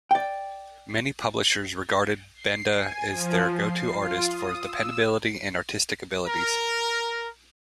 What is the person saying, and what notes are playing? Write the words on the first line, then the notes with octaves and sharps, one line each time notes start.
Many publishers regarded Benda as their go-to artist for his dependability and artistic abilities.
D5 G5
C7
G#5
F3
C7
F4
D#6
E6
A#4